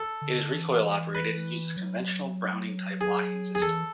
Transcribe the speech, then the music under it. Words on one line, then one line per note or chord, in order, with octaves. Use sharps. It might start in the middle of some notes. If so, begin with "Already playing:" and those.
It is recoil operated and uses a conventional Browning-type locking system.
Already playing: A4
D3
E3
B4
F#3
G#4
G#4
E3 A4